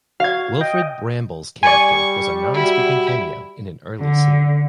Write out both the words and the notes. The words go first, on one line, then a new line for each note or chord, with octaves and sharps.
Wilfred Brambell's character was a non-speaking cameo in an early scene.
F#4 F5 G#6
D#5 G5
G3 D5 G#5 C#6
E4 F#4
D3